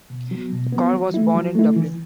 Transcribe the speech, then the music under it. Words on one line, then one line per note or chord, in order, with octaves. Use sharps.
Carr was born in Dublin.
B2
F#3 B3
B2
F#3 B3
F#3
A3 E4
F#3
A3 E4
E3